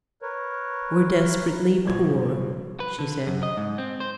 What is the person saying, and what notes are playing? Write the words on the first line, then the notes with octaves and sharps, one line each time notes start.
"Were desperately poor," she said.
A#4 B4 C#5
A#1 G2 B2 F3 C#6 G#6
B4
D3
F#2
D#5
G#2
C4
C5